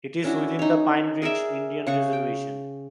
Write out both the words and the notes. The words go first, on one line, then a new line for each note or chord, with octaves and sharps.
It is within the Pine Ridge Indian Reservation.
C#4 D4 E4 F#4
D#4 C#5
G#4 A#4 D5 E5
C#3 F#5 C#6
G5